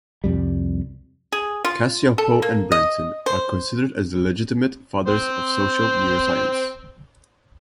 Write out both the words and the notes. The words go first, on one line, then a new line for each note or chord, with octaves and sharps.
Cacioppo and Berntson are considered as the legitimate fathers of social neuroscience.
C2 F2 G3
G#4
F4
A4
A#3
D#5
C5
C4 C5